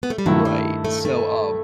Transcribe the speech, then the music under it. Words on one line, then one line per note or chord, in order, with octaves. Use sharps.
Right, so, um,
B3
A3
G3
G2 D#3 F#3 A3 E4
G3
A3
A3